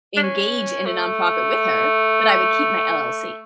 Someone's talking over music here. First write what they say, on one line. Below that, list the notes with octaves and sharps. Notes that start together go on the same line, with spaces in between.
engage in a nonprofit with her, but I would keep my LLC.
D4
C#4
A3